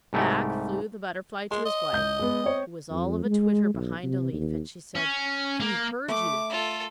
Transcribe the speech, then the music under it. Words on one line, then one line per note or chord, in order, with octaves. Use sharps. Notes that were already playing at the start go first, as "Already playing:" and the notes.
Back flew the Butterfly to his wife, who was all of a twitter behind a leaf, and she said, 'He heard you!
C2 G#2 A3 G4
G#3 C6
D#5
C#2 G6
G#3 B3
C4 C#5
F2
G#3
B1
C3
D#2
C#4
A#3
A3 D6
F4 A4